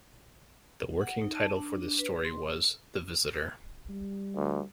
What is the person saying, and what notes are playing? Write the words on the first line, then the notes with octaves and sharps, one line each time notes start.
The working title for this story was "The Visitor".
F#5
D#4
A5
D4
B4
C6
G3
D2